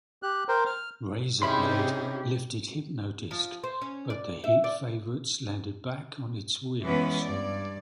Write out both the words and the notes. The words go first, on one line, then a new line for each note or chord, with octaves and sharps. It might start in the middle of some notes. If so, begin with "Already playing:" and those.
Raizer Blade lifted Hypno-Disc, but the heat favourites landed back on its wheels.
G4 F#6
A#4 C5 G5
F6
C3 C#4 D#4 E4 G4 G#4 B5 C6
F3
C5
C#4
D5
E5
D5
E3 G#3 B3 C#4 B4
G2 D5